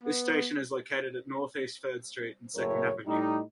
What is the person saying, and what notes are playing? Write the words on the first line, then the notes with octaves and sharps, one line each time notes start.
This station is located at Northeast Third Street and Second Avenue.
B3
F#1 A2 C#3 A#4 C#5
A2 G3 D#4